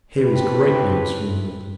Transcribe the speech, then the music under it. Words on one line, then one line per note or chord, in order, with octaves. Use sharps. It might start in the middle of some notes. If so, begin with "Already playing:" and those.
Here is great news from England.
E3 A3 C4 E4 G4 B4